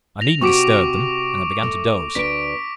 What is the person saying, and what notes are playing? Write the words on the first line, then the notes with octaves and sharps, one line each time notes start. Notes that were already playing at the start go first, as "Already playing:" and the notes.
I needn't disturb them; and I began to doze.
A#6 F7
C3 C4 F#4 C#6 D6 D7
A3
D2 D4 B4 B6 D7